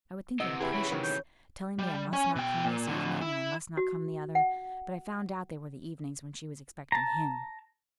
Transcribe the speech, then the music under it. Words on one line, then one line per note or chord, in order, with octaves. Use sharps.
I would think her capricious--telling me I must not come this evening, and I must not come the other; but I found out they were the evenings when she was expecting him.
C3 E3 D#5 F#5 E6
E4 G4 G#4 B4
C#3 E3 C#5 B5
C3 D#3 F#3
G6
G3
C#4 G#5
B2 G5
A#2
A2 D3
E4
F#4
F#5
A5 A#5